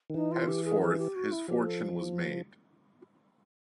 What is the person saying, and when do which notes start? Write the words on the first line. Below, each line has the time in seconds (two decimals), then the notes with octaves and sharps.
Henceforth, his fortune was made.
0.10 D#3
0.14 E3 D#4
0.32 F4
0.48 G4
0.65 G#4
0.82 G#4
0.98 G4
1.15 F#4
1.32 E4
1.48 F3 G4
1.66 A4